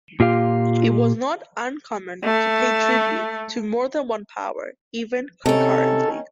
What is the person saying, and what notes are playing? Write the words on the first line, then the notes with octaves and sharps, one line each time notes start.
It was not uncommon to pay tribute to more than one power even concurrently.
A#2 F4 G4 F5
A3
C3 D#3 C#4 A4